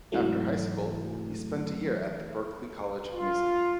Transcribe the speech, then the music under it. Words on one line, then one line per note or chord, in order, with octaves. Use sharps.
After high school, he spent a year at the Berklee College of Music.
G#2 C3 E3 F#3 A3
F4